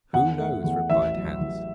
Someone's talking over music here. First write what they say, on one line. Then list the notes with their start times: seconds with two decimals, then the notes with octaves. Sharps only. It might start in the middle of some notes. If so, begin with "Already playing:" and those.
'Who knows?' replied Hans.
0.13 E2 F#5
0.39 A3
0.64 E2
0.90 A1 E5
1.15 F#3
1.41 A1